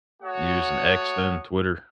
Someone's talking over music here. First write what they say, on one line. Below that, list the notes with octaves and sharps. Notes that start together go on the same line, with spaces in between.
using X, then Twitter.
A3 F#4 C#5 F#5 D#6